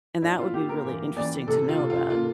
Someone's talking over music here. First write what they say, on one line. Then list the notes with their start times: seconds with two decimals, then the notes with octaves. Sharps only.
and that would be really interesting to know about.
0.22 D4 E4
0.38 F4
0.54 A#3 G4
0.69 A#4
0.85 E3
1.16 E3 D5
1.48 C3 A4
1.69 F4
1.79 C3
1.90 F4
2.10 A#3 F4